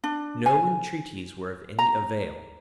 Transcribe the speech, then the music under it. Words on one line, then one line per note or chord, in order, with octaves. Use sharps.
No entreaties were of any avail.
D4
G#5
A#5